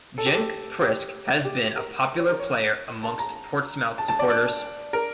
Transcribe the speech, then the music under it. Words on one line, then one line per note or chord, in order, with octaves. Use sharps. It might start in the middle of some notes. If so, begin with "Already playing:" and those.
Genk, Priske has been a popular player amongst Portsmouth supporters.
A4
G4
A4
G4
G4
A#4
C#5
A#4
C#5
A5
A#5
A5
A5
D5
D5
A#4